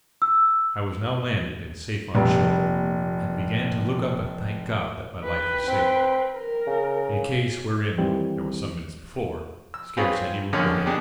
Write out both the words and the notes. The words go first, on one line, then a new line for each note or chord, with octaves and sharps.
I was now landed and safe on shore, and began to look up and thank God that my life was saved, in a case wherein there was some minutes before scarce any room to hope.
E6
F1 A#2 G3
B4 G5
C4
A#4
C#3
D#3 E3 G3 C4
E6
C4 F4 G#4 B4 C#5
A#1 D3 D#3 C#4 C#5
B2 D4 G4 G#4